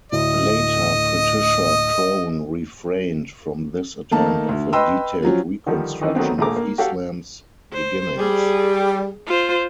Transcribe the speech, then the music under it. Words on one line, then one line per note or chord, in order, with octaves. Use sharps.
Later, Patricia Crone refrained from this attempt of a detailed reconstruction of Islam's beginnings.
D2 A2 D#5
D#3 A3 A#3 D#4 A5
D2
B4 D#5 G5 B5 C6 E6
F3 F#3 C#4
D3 D#3 F3 G3
D#3 E3 D#4
D#3 F#3 A3 B3 C4
A#1 A#2 A3 G#4 A#5 D6
A#3
F#4 G4 A4 F5 F#5
C5
G3 G#4
F4 C5